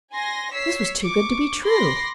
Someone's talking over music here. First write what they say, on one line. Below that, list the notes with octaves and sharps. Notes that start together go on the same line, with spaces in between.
This was too good to be true.
G#5 C6 A#6
C#5 E6 B6 C7
C#6 D6
B5 C6 D6 A#6 C7